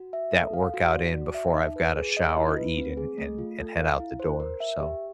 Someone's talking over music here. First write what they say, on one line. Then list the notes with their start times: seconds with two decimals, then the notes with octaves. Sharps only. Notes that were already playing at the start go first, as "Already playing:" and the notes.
that workout in before I've gotta shower, eat, and and and head out the door, so,
Already playing: F#4
0.13 E5
0.33 A4
0.53 F5
0.74 F#4
0.94 D5
1.14 F#4
1.34 E5
1.55 D#4
1.76 B4
1.96 G#4
2.17 D#5
2.37 E4
2.57 B4
2.77 C4
2.97 G#4
3.18 A3
3.38 F4
3.59 A4
3.79 F5
4.00 E4
4.20 C5
4.40 A#4
4.60 E5
4.81 G4